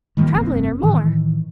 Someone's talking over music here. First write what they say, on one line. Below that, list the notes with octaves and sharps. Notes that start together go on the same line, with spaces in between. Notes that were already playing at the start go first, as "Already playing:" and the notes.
Trebling, or more.
D#3 F3 G3 A#3
F1 G2 A#3 C4
A2 D#3 E3